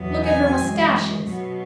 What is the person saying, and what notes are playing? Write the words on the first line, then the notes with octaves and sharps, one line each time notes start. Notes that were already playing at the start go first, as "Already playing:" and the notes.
Look at her moustaches!
Already playing: E2 B2 F#3 B3
G#5
F#2 E3 G#3
B2 F#3 B3